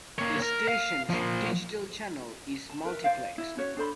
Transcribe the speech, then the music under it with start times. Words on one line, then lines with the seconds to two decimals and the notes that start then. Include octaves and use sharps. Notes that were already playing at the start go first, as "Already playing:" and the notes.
The station's digital channel is multiplexed.
0.19 A#3 C#5
0.42 A#4
0.69 F5
1.09 F3 A#3
2.70 A5
2.85 A#4 B4 E5
3.04 C5 D5 F5
3.38 E4
3.57 C#4 F#4 C#5
3.77 D4 A4 C5 B5